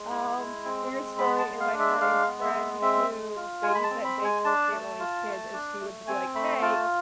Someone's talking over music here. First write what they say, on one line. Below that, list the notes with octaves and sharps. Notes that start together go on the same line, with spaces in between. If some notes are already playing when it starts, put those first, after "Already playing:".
um, weird story is, I had a friend who babysat J.K. Rowling's kids, and she went to be, like, "Hey,
Already playing: G#3
E4
G#3
C4
G#3
B3 B5
A5
G#3
F5
D4
E5
G#3 F5
B3
E5
G#3
C4 E5
G#3
F4
G#3 G#5
B5
A5
C4
B5
G#3
G#5
D4 A5
A3
F4
A3
D4
A3
C4 G#5
A3 B5
F4 A5